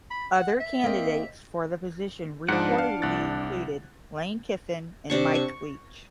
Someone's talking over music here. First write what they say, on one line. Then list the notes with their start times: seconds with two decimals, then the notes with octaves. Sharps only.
Other candidates for the position reportedly included Lane Kiffin and Mike Leach.
0.11 B5
0.34 F#5
0.60 E5
0.84 A#3 C4 D#5
2.48 G#2 F3 D4 F#5
2.78 F5
3.02 C2 F#6 A6
5.10 C3 D4 C#6
5.35 C#6